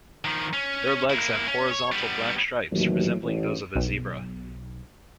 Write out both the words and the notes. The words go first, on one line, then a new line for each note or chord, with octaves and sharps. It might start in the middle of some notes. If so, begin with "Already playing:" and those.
Their legs have horizontal black stripes, resembling those of a zebra.
D#3 F3
C#4
A#3 E4
C#4
C#5
G3 B3
A1 D#2 A2 E3 F#3
A1
B1